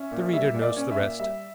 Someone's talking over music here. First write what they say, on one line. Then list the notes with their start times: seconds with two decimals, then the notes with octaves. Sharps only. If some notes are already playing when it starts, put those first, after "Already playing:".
The reader knows the rest.
Already playing: C#4 E5
0.11 A#2
0.33 G3 E5
0.54 A#2
0.62 D5
0.76 C#4
0.91 E5
0.98 A#2
1.19 G3 E5